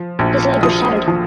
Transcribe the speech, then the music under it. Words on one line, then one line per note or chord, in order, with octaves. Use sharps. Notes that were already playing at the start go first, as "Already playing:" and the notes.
His leg was shattered.
Already playing: F3
A#1
F3 D#6
F3